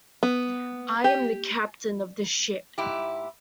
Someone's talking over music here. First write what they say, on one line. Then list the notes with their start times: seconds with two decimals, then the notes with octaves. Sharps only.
I am the captain of the ship.
0.23 B3
1.04 G4
2.78 G#2 E4 G4